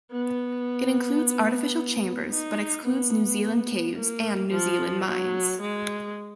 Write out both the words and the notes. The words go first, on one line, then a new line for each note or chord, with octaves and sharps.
It includes artificial chambers but excludes New Zealand caves and New Zealand mines.
B3
D#4
B3
A#3
F3
F#3
G#3